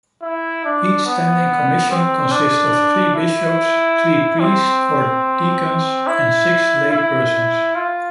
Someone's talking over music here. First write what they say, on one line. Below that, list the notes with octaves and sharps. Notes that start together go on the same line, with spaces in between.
Each standing commission consists of three bishops, three priests or deacons, and six laypersons.
E4
D4
B3
C4
D4
E4
C4
E4
E4
F4